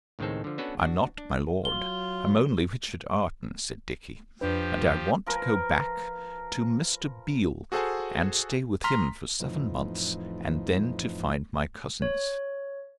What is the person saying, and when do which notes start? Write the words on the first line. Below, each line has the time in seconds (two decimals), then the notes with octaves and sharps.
"I'm not 'my lord'; I'm only Richard Arden," said Dickie, "and I want to go back to Mr. Beale and stay with him for seven months, and then to find my cousins."
0.19 C#2 A2 D#3 G#3 C4 A4
0.44 D3 F3
0.58 B3 C#4 D4 F#4 A4 B4
0.79 D4 F#4
1.18 D4
1.65 F#3 F4 G7
4.41 F2 F3 D4 G4 B4
5.26 F3 A#4 B4
7.72 F#4 G#4 A4 C5 F#5 G#5
8.84 A#5 C6 F6 B6
9.40 F2 A2 E3 F3 D#4
12.02 C#5